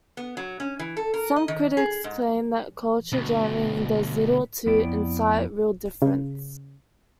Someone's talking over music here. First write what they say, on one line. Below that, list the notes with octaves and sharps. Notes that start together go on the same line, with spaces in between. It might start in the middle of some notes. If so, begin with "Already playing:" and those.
Some critics claim that culture jamming does little to incite real difference.
B3
F#3
C#4
E3
A4
A#4
D#5
D#3
G#4
G#2
D2 B2
F2 B3 E4 D5 G5
C#3